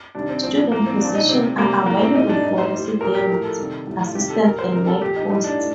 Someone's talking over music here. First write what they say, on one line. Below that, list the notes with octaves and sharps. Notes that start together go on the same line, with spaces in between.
Student positions are available for Resident Assistants and Night Hosts.
C3 D#3 G3 D4
C4
A2 F3 C4
A2 F3 A#3
C4
A#2 F3 D4
D#4
C3 G3 C4
C3 G3 A#3
A2 G3 A#3
C4
A2 G3 D#4
D4
A2 G3 D#4
C5
A2 G3
A#2 G3 A#4
G4
A2 F3 A#4
A4
C3 D#3 G3
A2 G3
F4
C3 D#3 G3 G4
A4
A#2 G3 A#4
C5
C3 G3 A#4
A4
A#2 F3 G4
D#4
A2 G3 D#4
D4
A2